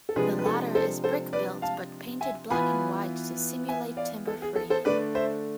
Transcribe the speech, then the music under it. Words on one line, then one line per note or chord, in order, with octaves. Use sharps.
The latter is brick-built but painted black and white to simulate timber framing.
A4
C3 F3 G#3 D4 G#4 B4
B4
A4
A4 C5
A4 C5
B4 D5
F5 A5
E5 G#5
E3 B3 F4 G#5 B5
E5 G#5
D5 F5
A4
G#4
A4
A4 C5
D3 A3 D4 B4 D5
C5 E5